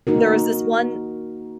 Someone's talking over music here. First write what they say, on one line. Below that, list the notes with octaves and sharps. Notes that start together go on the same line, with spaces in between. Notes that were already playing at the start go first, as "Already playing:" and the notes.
there was this one
A#3 D#4 F#4 A#4